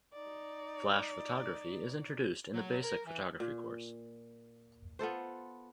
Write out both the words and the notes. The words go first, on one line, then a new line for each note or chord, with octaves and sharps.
Flash photography is introduced in the basic photography course.
D#4 D5
F#3
A#4
E3
A#2
B3 F4 A4 C5